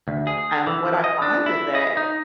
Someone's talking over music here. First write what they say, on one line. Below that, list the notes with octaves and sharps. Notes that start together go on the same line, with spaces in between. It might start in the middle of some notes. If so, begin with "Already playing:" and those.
Um, what I find is that,
D2
G#4
E3
D#5
D4
E4
D#5
D#4